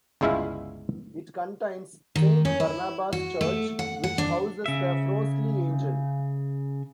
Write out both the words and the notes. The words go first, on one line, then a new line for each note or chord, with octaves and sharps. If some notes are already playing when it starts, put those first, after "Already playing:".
It contains Saint Barnabas' Church, which houses the Frostley Angel.
G1 C#2 G#3 E4 E5 F5
D#3
C#4
E4
F#4
A3
F#5
F#5
D4
C#3 E5